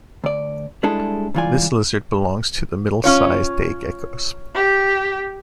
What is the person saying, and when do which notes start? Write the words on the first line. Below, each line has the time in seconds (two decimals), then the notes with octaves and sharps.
This lizard belongs to the middle-sized day geckos.
0.24 D2 D5
0.83 G3 G#3 D4 E4 G#4 A4
1.34 C#2 G2 E3 F4 D5 G#5
3.04 C#4 F4 C#5
4.54 G4